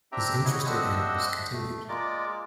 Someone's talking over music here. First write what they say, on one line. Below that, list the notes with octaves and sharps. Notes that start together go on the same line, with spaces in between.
His interest in animals continued.
C4 D4 G4 E5 G5 A#5
E4 F#4 C#5 D#5
C4 D4 C5 D#5 E5 F#5
A3
G#3 A#3 F4 A#4 D5 D6